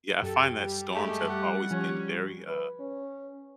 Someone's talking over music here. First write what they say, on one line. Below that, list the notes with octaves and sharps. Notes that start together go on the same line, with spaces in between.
Yeah, I find that storms have always been very, uh,
F#2 G4 A4
G3
G#3 A3 G4
F#5
F3 C#4
B4
C#4